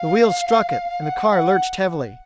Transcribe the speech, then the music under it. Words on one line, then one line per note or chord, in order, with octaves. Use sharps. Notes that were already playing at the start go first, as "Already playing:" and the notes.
The wheels struck it, and the car lurched heavily....
Already playing: F5
F#5
F#5